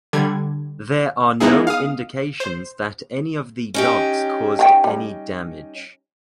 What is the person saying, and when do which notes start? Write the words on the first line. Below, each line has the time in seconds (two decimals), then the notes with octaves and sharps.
There are no indications that any of the dogs caused any damage.
0.13 D3 G3 G#6
1.40 G#3 A#3 B3 D#4 E4 G#4
1.67 F5 D#6
2.40 C5
3.74 C#4 D#4 G4
4.59 D#3 F4 G5
4.84 G3